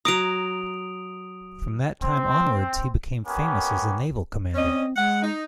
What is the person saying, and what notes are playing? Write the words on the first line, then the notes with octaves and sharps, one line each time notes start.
From that time onwards, he became famous as a naval commander.
F#3 A#5 D#6 D7 F7
C4
A#3 B3 C#4 G4
C4 C#4 D5 D#5
G#3 F#5
D#4